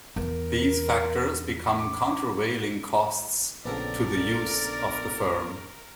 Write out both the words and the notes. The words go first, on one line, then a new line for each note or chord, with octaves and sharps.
These factors become countervailing costs to the use of the firm.
E2 A#4
D6
A#1 C#3 F3 B3 D4 A4 A#4 D5